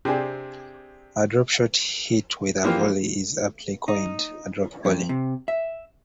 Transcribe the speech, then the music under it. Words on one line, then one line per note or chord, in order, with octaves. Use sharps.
A drop shot hit with a volley is aptly coined a "drop volley".
C3 C4 D4 G#4
E3 F3 A#3 F4 G4
D#4
F2
C3
E5